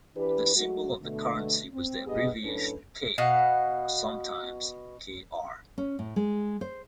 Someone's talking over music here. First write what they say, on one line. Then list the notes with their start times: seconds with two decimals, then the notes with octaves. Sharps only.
The symbol of the currency was the abbreviation K. or sometimes Kr.
0.17 E3 D4 G4 B4
0.56 F#3 G#3 A3 F#4
1.02 B2 D3 A3
1.74 C4
2.07 G2 B3 G4 G#4 D#5
2.44 F#2 A2 C#4 D4 A4 B4
3.18 B2 F5 F#5
5.78 C#4
5.99 A2
6.16 G#3
6.61 C5